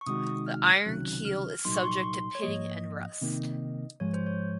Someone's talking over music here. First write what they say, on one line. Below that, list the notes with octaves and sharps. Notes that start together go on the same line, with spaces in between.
The iron keel is subject to pitting and rust.
C#6
C3 D#3 G#3 D#4 F#4 D#6
F6
C#2 C3 D#3 F#3 C#4 F#6
F6
C2 A#2 F#3 A#3 D#4 C6
C#6
C6
C6
C#5
G#2 F3 A#3 D#5
C3 D#3 A#3 D#4
G#2 F3 G#3 C#5
C5
C#5